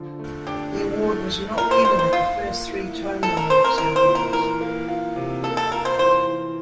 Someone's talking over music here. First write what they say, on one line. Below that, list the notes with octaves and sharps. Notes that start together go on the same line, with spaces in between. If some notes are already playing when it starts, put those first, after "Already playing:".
The award was not given at the first three Tony Award ceremonies.
Already playing: D3 F3
A3
D4 G4
A2
A3
E4
A#2 A#4
C5
A#2 C5
C5
F3 F4
A#3
E4
A2
A3 A4
A#4
C4 C5
A#4
E4 A#4
C5
A#2
A#4
E3 A#4
A#3
F4
C3
A#3 A4
A4
F4 A#4
C5
E3 C5
E3